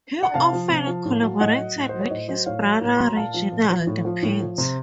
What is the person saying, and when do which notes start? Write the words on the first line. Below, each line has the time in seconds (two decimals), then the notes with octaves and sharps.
He often collaborated with his brother, Reginald Pitt.
0.23 F#5
0.34 C3 F5 A5
0.53 F3
0.69 C3
0.87 F3
1.05 A2
1.23 F#3
1.40 A2 D#5 F#5
1.58 F#3
1.76 A2
1.89 F#3 C5
2.00 C#5
2.10 A2 C5 D#5
2.28 F#3 C5 D#5
2.46 A2 C#5 F5
2.64 F#3
2.81 A2
2.97 F#3 C6
3.07 A#5
3.16 A#2 F5 A5
3.34 F3
3.52 A#2
3.70 F3
3.87 A2
4.05 F3
4.23 A2
4.40 F3
4.58 C3